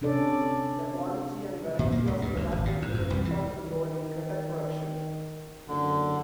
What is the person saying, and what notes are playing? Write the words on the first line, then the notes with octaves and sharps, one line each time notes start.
The quality and variety of tobacco play an important role in kretek production.
C3 C#4 D4 A4 D5
A#2
A#3
C#2
G2
D2
G#1
A#2
G#2
F#2
C2
E3
D#3
F#1 D3